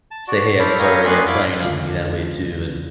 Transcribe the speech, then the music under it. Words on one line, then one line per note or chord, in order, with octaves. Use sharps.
say, "Hey, I'm sorry. I'm trying not to be that way too." And
A5
F#4 D5
E4 A4 C5 D5 B5 F6
G4 A#4 C#5 D#5 F5
A3 B3 D4 G#5 C6 F#6
E4 F5 B5 D6
C#2 D3 F4